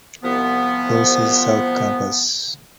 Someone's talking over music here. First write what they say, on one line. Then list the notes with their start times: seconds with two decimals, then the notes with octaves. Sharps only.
Louis' South Campus.
0.23 C2 F3 B3